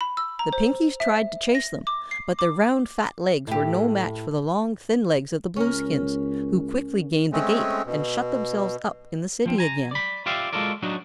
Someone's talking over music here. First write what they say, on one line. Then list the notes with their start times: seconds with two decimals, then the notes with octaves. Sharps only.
The Pinkies tried to chase them, but their round, fat legs were no match for the long, thin legs of the Blueskins, who quickly gained the gate and shut themselves up in the City again.
0.01 B5
0.17 E6
0.39 A#5
0.53 C5
1.00 E5
1.55 A#6
1.87 D6
2.11 C7
2.39 D6
3.47 A2 G4
5.56 C#2 C#4 A#4
7.32 G#3 A3 C4 C#4
7.86 B2
9.46 F3 C4
9.58 G#5 A#5
9.91 D5 B5
10.26 F4 G4 D5 E5 F5
10.53 G#3 F4 F#4 A4 A#4 D5
10.82 F#3 D4 D#4 F#4